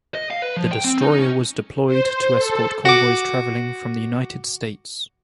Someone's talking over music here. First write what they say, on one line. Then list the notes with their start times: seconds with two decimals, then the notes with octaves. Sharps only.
The destroyer was deployed to escort convoys travelling from the United States.
0.15 D#5
0.30 F5
0.42 B4
0.57 F3
0.72 G5
0.85 C4
1.01 D#4
1.19 C#4
1.87 C5
2.38 A4
2.85 F#4 D6